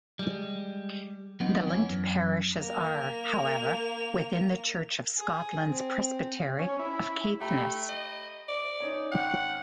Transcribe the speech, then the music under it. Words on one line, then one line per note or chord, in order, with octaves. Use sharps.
The linked parishes are, however, within the Church of Scotland's Presbytery of Caithness.
G3 G#3
F#3 B3 C4 D#4
E2 E3 C#4
F#2
A#3 F7
G#4
C4
C#4
E4
A3 G4 A#5 B5
D#5
D5
C#4 D#4 C#5
G#1 F#5 G5